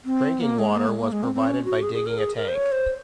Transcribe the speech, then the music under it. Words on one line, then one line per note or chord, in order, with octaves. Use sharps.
Drinking water was provided by digging a tank.
C4
A#3
G#3
A#3
G#3
A#3
G#3
C4
C4
C#4
F#4
G#4
G#4
A#4
G#4
A#4
C5
C#5
C5